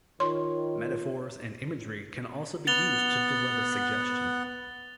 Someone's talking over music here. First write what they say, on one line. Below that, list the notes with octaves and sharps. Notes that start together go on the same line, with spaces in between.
Metaphors and imagery can also be used to deliver suggestion.
D#3 F4 C#5 C6
B3 F#5 A6 F7 G7